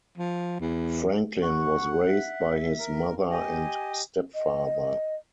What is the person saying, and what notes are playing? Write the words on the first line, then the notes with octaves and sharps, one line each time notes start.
Franklin was raised by his mother and stepfather.
F3
E2
F#5 C#6
E5
A#4
G4 D#5 G#5
D#5